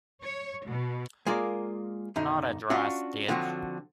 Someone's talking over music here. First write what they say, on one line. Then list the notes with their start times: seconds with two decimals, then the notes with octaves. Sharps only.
Not a dry stitch.
0.23 C#5
0.66 B2
1.26 G#3 A#3 F4 A#4 D5
2.16 B1 F#2 D3 D#4
2.70 C#4 D4 F4 F#4
3.29 D3 F3 F#3 C4 F#4